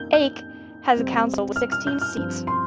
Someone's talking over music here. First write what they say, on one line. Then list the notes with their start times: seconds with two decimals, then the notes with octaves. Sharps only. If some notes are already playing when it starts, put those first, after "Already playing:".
Aach has a council with sixteen seats.
Already playing: F2 D#3 A#3 G6
0.14 G6
0.95 F2 C3 G3 C4
1.56 F6
1.72 F6
1.87 G6
2.01 F6
2.17 G2 F3 C4
2.47 C6